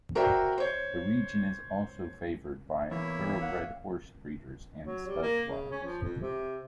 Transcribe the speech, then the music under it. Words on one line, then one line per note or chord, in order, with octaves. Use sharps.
The region is also favoured by thoroughbred horse breeders and stud farms.
F#4 A#4 C5 D5 E5 G5
C5 C#5
E2 A#3 E4 C#5 E5
F5 F#5
F#3
G3
A#3
C#3
C#4
F3
F2
C3